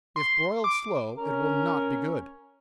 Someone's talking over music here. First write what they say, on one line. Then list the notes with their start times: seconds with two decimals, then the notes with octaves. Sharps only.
If broiled slow, it will not be good.
0.16 C6
0.64 D6
1.18 C#4 A#4